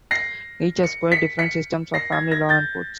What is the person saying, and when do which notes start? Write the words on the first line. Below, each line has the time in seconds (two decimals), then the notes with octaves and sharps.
Each has quite different systems of family law and courts.
0.11 A#6 C7
0.84 C#7
1.12 B6 C#7
1.39 B6 C#7
1.94 A#6 C7
2.12 G#6 A#6
2.31 G#6 A#6
2.49 G6 A6